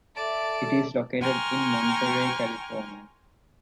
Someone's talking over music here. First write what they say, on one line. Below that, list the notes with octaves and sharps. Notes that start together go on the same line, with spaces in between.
It is located in Monterey, California.
A4 D5 E5 A5 D7
G5 G#5 A#5 C6 C#6 F6